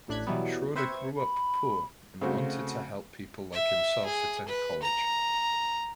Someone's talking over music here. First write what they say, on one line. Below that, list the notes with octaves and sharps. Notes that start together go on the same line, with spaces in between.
Schroeder grew up poor and wanted to help people like himself attend college.
A1 A2 D4 F#6 G#6 B6
B2 E3 F#3 G3 B3
C4 B4 C5 E5 C#6 G#6
B5
C#3 A3 C4 F#4
E5
G#4
B4
A#5